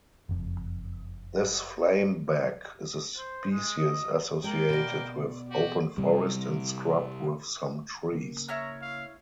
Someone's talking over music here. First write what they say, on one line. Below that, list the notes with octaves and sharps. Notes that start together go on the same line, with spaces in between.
This flameback is a species associated with open forest and scrub with some trees.
F#1 F2
C5
G#3
D#5
G#3 A#3 G5
B2 D5
F#4 G4
C3 G3
C#3 A#3
E4 C#5 A#5 F6
F5